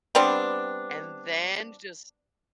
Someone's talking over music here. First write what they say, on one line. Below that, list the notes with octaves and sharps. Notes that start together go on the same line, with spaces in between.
And then just
G3 B3 C4 D4